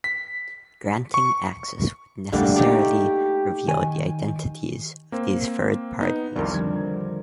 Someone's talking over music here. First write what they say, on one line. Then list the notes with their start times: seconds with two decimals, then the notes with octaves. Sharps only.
Granting access would necessarily reveal the identities of these third parties.
0.04 B6
1.14 C#6
2.32 D3 G3 A3 A#3
2.56 D#4 G4 C#5 D5
3.68 D#3 G#5
5.12 A#3 C4
6.00 B3 D#4
6.36 C2 F2 D#3 A#4 D5
6.54 D3 F3 G3 G#6